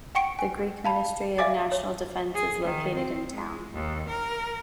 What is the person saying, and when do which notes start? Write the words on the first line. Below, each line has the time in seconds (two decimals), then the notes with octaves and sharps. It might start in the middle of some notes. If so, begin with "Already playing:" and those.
The Greek Ministry of National Defense is located in town.
0.15 F#5 G5 C#6 C#7 D7
0.39 G#5
0.85 F5 A5 B5
1.38 D5 E5 F5 G#5 D6 A6
1.72 C#5
2.34 G#4
2.65 D#3
2.95 C4
3.33 G#3
3.74 D#2
4.09 A#4